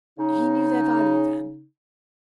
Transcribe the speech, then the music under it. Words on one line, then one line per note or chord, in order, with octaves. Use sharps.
"He knew their value, then?"
C#3 D#4